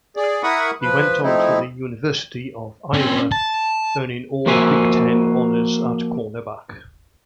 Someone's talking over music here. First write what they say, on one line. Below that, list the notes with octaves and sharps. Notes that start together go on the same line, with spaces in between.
He went on to the University of Iowa, earning all-Big Ten honors at cornerback.
G#4 D5
E4 A#4 F#5 B5 C#6 D#6
F3 B4
F3 A3 C4 D#4 E4
C4 C#4
A5
F3 A#3 F#4 C5 E5 G#5